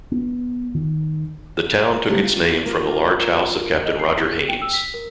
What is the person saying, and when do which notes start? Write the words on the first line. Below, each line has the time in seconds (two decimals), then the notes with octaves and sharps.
The town took its name from the large house of Captain Roger Haynes.
0.12 B3
0.75 D#3
2.06 C#3 F#3 G3 A3 B3
2.24 F4
2.66 A#3 F4
3.85 D#5
3.99 C7
4.17 E4
4.31 G#4
4.49 G5
4.62 E6
4.73 B6
4.94 A#4